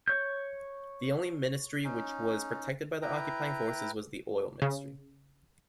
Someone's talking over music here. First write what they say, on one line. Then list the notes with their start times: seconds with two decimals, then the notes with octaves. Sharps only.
The only ministry which was protected by the occupying forces was the oil ministry.
0.08 C#5 G6
1.85 C#4 D#4
3.02 E4 B4 G5 A#5
4.62 C#3